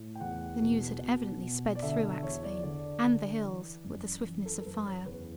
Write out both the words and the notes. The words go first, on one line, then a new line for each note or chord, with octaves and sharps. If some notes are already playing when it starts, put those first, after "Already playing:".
The news had evidently sped through Axphain and the hills with the swiftness of fire.
Already playing: A2
G5
E2 F#5
B2
B2
B2
D5
D3 E5
E5
E2 C#5
D5
D3 D5
D3
E3
F#2
E3
A4
A4
F#2 B4
C#5
E2 B4